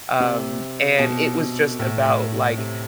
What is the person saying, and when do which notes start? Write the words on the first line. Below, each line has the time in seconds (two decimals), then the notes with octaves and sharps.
um, and it was just about like,
0.20 C3
0.99 B2
1.79 A2
2.05 A2
2.58 C3